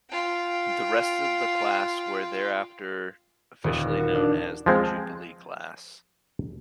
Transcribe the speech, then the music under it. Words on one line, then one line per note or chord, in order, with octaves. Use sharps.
The rest of its class where thereafter officially known as the Jubilee Class.
F4 G5
D#1
F#4
D4
F3 G#3 C4